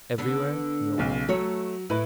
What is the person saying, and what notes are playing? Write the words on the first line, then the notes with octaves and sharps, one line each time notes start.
"Everywhere; nowhere."
D3 B3 D4
B1 C#3
F#3 A3 C#5
A2 E4 B4